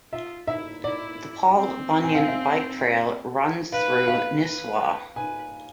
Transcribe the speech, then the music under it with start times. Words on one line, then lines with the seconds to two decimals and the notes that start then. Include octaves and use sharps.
The Paul Bunyan Bike trail runs through Nisswa.
0.12 F4 E5
0.48 E4 E5
0.84 E4 D5
1.56 C4
2.04 G#5
2.15 F5
2.28 E5
3.72 B4 F5
4.08 F5
4.44 B4
5.15 B4 G#5